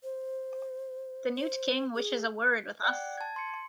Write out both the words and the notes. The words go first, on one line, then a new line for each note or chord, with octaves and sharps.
The newt king wishes a word with us.
C5
C5
G#4
D5 F#5 G5 F#6
A5 G#6
C6 C#7